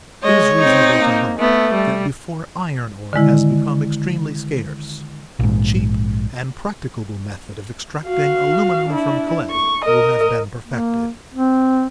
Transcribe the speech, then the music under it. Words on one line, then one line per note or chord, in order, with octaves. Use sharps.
It is reasonable to hope that before iron ore has become extremely scarce, a cheap and practicable method of extracting aluminium from clay will have been perfected.
G#3 C#5 D#5
C4 D#4
A#3
A3 B3
G3
D3 D#3 G#3 E4
A#1 G#2
F#4 F5
D4 E4
C#6
A#4 D#5
A#3
C4